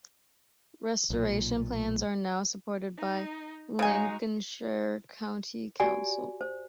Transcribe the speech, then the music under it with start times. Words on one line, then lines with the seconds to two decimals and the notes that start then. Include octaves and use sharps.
Restoration plans are now supported by Lincolnshire County Council.
1.10 B1 A#2
2.97 D#4
3.79 C#3 G#3 D#4 F#4 G#5
5.80 F#4 G4 D5 G#5
6.41 C5